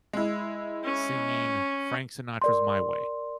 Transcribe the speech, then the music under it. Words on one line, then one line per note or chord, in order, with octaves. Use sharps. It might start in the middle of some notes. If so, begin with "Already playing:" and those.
singing Frank Sinatra's "My Way."
G#3 E4
C#4
A#4 D5 C6